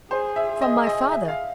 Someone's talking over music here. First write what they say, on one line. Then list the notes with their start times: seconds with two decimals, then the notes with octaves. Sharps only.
"From my father?"
0.11 G#4 C5
0.36 E5
0.61 G#4 D#5
0.87 D#5
1.12 E5
1.28 F5